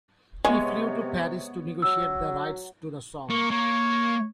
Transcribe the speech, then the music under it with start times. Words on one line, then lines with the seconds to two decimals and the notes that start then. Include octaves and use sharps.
He flew to Paris to negotiate the rights to the song.
0.45 C3 G#3 B3 C#5
1.82 F#3 E6
3.30 A#3 C#6
3.51 A#3 C#5